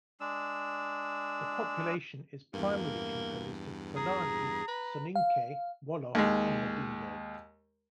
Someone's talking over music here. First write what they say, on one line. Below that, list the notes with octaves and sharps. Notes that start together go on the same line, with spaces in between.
The population is primarily composed of Fulani, Soninke, Wolof and Madingo.
G#3 D4 E6
E2 G2 A#3
G#4 A#5
B4
F5
D#2 G#3